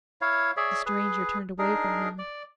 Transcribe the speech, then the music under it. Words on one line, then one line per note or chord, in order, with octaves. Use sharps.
The stranger turned away from him.
E4 C#5 F5
G#4 C#5 D5 E5
G#4 B4
D4 D#4 G#4 A#4
D5